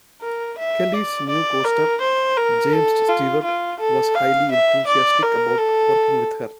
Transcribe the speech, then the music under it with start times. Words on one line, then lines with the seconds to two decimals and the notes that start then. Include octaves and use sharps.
Kelly's new costar, James Stewart, was highly enthusiastic about working with her.
0.21 A#4
0.58 E5
0.93 D5
1.29 D5
1.64 A#4
2.01 C5
2.37 A#4
2.73 A4
3.08 F4
3.43 F4
3.80 A4
4.15 F5
4.51 E5
4.87 D5
5.23 A#4
5.58 A4